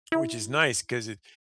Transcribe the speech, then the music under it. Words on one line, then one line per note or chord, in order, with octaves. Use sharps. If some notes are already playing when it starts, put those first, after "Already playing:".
which is nice 'cause it
E4